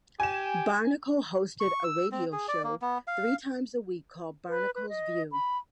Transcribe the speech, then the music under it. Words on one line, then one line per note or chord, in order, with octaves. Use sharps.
Barnicle hosted a radio show three times a week called "Barnicle's View".
G4 G#5 E7
C#6
E6
C4
G#4
D5
A#3
B3
F5
B4
B4
D#5
B5